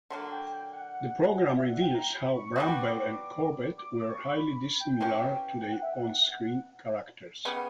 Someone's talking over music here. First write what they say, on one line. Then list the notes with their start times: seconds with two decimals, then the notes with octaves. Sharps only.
The programme reveals how Brambell and Corbett were highly dissimilar to their on-screen characters.
0.10 D3 F#3 A#3
0.31 G5
0.51 G5
0.72 F#5
1.45 D5
1.57 E5
1.70 F#5
1.82 G5
1.95 A#5
2.15 B5
2.35 C#6
2.55 G3 B3 F#4 D6
3.78 D6
3.94 D6
4.09 C#6
4.24 B5
4.39 B5
4.60 B5
4.80 G5
5.00 E3 A#3 C#4 G4
5.61 G5
5.72 F#5
5.82 E5
5.94 F#5
7.45 C#3 G3 B3